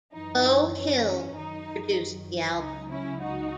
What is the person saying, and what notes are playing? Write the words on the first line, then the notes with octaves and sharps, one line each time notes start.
Beau Hill produced the album.
F#2 E3 D#4
C#4
F#2 D#3 F#3 D#4
C#2 C#3 F#3 D#4
C#4 E4
D#4 F#4